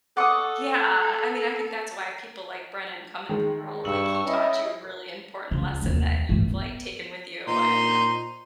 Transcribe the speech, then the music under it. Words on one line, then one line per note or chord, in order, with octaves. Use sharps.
Yeah, I I mean, I think that's why people like Brennan come in the world, like, he taught you a really important lesson that you've, like, taken with you and
A4 D5 F#5 C#6 D#6
D#3 G#3
G2 C#6 E6 F#7
C#4 E4 D#5
C#2
F1 D#2
A1 G2
B3
A#2 D#4 C5 C6